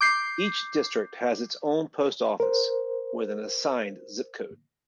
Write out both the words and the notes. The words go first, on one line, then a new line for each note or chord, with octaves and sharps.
Each district has its own post office, with an assigned zip code.
D6 G6 C7
A#4 C5